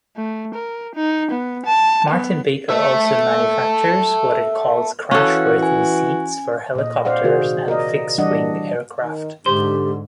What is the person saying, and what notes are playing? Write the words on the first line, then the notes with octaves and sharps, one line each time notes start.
Martin-Baker also manufactures what it calls "crashworthy" seats for helicopters and fixed-wing aircraft.
A3
A#4
D#4
B3
A5
B3
A4 E5
E3 C#4 F#4 A4 F5 F#6
G#5
A#2 D#5
C5 D5 F5 F#5
C3 D#3 F#4 G#4 C5
A#4 D5 D#5
E3 G3 D4 D5 D#5 F#5
D#3
G#2 D3 G4 C5